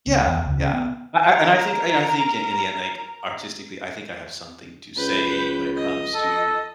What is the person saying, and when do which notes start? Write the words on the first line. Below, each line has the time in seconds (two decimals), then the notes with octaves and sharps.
Yeah, yeah. I I and I think And I think in the end, like, artistically, I think I have something to say when it comes to,
0.07 C#2
0.27 E2
0.46 C#2
0.59 C#3
0.73 B3
1.25 A#4 A#5
4.97 C#2 B4 G6
5.77 D#5
6.14 A4